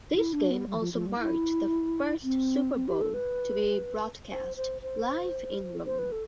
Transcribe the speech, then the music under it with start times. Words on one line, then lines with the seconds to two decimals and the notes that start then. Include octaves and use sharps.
This game also marked the first Super Bowl to be broadcast live in Rome.
0.16 E4
0.33 D4
0.50 B3
0.67 G3
0.75 E3
0.80 F3
0.94 F3
1.07 G3
1.19 E4
2.23 C4
2.75 C4
2.88 G4
3.01 A4
3.14 B4
4.30 C5
4.57 C5
4.82 C5
5.86 C5
5.99 B4
6.12 A4